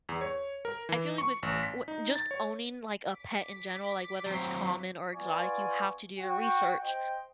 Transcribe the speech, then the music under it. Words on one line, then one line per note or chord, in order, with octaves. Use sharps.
I feel like with w just owning like, a pet in general, like, whether it's common or exotic, you have to do your research.
E2
C#5
A#4
E3
C#6
A1
B6
D#4
A6
C#5
D6 B6
F#3 C4
B3 F4 D5 G#5 C#6
F#4 G5
C5 D#5 G5